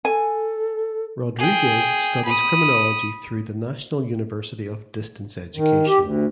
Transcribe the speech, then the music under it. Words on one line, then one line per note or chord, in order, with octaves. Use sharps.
Rodriguez studies criminology through the National University of Distance Education.
A4 G#5
G#4 G5
B5 D#6
D#3
G4
D2